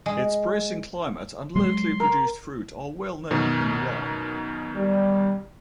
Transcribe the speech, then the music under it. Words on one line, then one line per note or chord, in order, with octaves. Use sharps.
Its bracing climate and locally produced fruit are well known in Iran.
G#3
F#3 G#3 C6
A#4
F#2 B2 D#3
G3